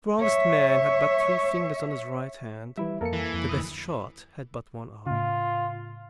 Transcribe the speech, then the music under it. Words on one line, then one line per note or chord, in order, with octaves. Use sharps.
The strongest man had but three fingers on his right hand; the best shot had but one eye.
C#5 E5
E3 G3 E4 E5
F2 A#3 A4 A#4 C#7
E3
F2
D2 D#6
A2 C#3 F4